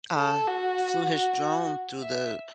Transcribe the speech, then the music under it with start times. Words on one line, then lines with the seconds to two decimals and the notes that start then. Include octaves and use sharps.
uh, flew his drone through the
0.16 A4
0.47 F#4
1.09 F#4
1.40 F#4
2.02 E5